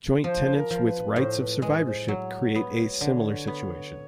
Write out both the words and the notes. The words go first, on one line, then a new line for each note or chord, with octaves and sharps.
Joint tenants with rights of survivorship create a similar situation.
F3 C5
A#4
F3
B4
A2 C5
B4
G#3 B4
C5
F#3 C#5
B3
D3
B3